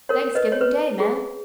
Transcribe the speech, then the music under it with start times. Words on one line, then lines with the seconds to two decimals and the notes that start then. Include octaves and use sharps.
'Thanksgiving Day, man!
0.09 A#4 C#5
0.35 B4 D#5
0.52 C#5
0.61 B4
1.00 G#4